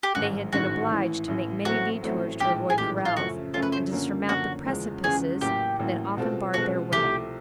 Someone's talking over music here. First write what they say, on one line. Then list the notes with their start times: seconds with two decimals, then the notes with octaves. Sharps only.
They had been obliged to make many detours to avoid kraals, and to surmount the precipices that often barred their way.
0.03 G4
0.15 A1 G#2 D#3 G#3 F#4
0.52 A1 G#2 D#3 G#3 F#4
0.90 A1 A2 E3
1.28 A1 A2 E3
1.65 A1 A2 F#3 A3 C4 F#4
2.03 A1 A2 F#3 A3 C4
2.40 A#1 A2 E3 G#3 G4
2.70 G#4
2.78 A#1 A2 E3 G#3 G4
3.05 F4
3.16 F#2 C#3 F3 A3 C#4 F#4
3.54 F#2 C#3 F3 A3 C#4 F4
3.62 B4
3.72 C5
3.91 F#2 D3 F3 A#3 C#4
4.29 F#2 D3 F3 A#3 C#4 F#4
4.66 E2 C#3 F3 G#3 C#4
5.04 E2 C#3 F3 G#3 C#4 G#4
5.41 A1 A2 F#3 A#3 G4
5.79 A1 A2 F#3 A#3
6.17 B2 G#3 C4 F4 A4
6.54 B2 G#3 C4 F4 F#4 A4
6.92 C2 C3 F3 A3 G4